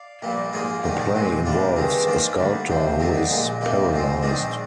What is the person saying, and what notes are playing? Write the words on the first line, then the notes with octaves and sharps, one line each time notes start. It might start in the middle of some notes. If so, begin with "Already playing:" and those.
The play involves a sculptor who is paralysed.
Already playing: D5 F5
A#1 A#2 G3 A#3
G#2 F3 A#3 F4 G#4
A#1 G#2 D#3 G3 D#4
D4
A#2 G#3 C4
D2 C3 G3 D4 F4
G2 D#3 G#3 C4
G#2 F3 A#3 D4 F4
D2 D3 G3
D2 C3 F3 C4
D2 D3 G3 C4 D#4
A#1 A#2 G#3
F2 C3 G3 A#3 D#4
G#2 F3 G#3 C4
A#1 G#2 D#3 G#3 C4 D4